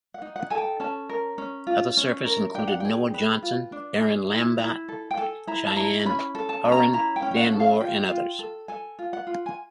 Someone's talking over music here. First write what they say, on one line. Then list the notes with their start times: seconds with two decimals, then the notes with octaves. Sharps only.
Other surfers included Noah Johnson, Aaron Lambert, Cheyne Horan, Dan Moore, and others.
0.14 F#5
0.22 D#4
0.36 F#5
0.50 A4 G#5
0.58 G5
0.80 C#4 A5
1.09 A#4
1.38 C#4
1.67 F4
1.97 C#4
2.25 A#4
2.54 D4 G5
2.68 F#5
2.80 G#4 G5
3.14 B4
3.43 F4
3.72 D4
4.01 G#4
4.30 E4
4.59 E4
4.88 A4
5.11 G5
5.17 A4 G#5
5.47 E4 A#5
5.67 A5
5.76 E4 A#5
6.06 C#4 B5
6.35 A4
6.49 A5
6.65 C#4
6.72 A#5
6.93 E4 A#5
7.16 G5
7.22 C#4
7.31 G5
7.37 F#5
7.52 A4
7.60 F5
7.81 F4 G5
8.11 F4
8.39 A4
8.68 A4 G#5
8.99 F4
9.13 F#5
9.27 F4
9.46 G#5